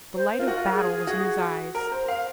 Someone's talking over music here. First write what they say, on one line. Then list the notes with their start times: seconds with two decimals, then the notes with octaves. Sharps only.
The light of battle was in his eyes.
0.16 C5
0.39 F4 A#4
0.48 F#4
0.56 F4
0.73 G#4
1.07 F#4
1.75 A#4
1.92 C5
2.08 F5